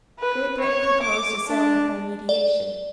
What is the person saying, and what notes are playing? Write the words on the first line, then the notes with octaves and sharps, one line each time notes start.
Great Britain proposed a settlement by mediation.
B4
C#5
D6
D4
D5